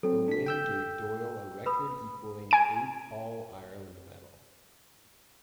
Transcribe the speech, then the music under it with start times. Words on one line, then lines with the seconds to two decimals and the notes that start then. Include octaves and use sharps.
The win gave Doyle a record-equalling eight All-Ireland medal.
0.03 F#3 C4 A4
0.28 D4 B6
0.46 G5 E6 G6
1.66 B4 B5 D#6
2.51 G#5 D7